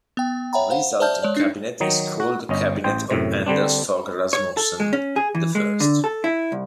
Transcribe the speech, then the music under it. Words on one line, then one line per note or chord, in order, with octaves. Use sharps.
The resulting cabinet is called the Cabinet of Anders Fogh Rasmussen the First.
B3 G5
C#5 E5 F#5 G5 A#5 B5
C5 F5 F#5
C5 D5 E5 A5 F6 G6
G#3 C#5 D5
D4 D#4
D#3 F#3 D#4
F#4
G1 C#4 D#5
A1 C5 G5
F#2 A2 C3
D3 G3 C4 D4
C#5
A4
G#3
C#4
G#4
E3
G#3
D3
A4
E4
C2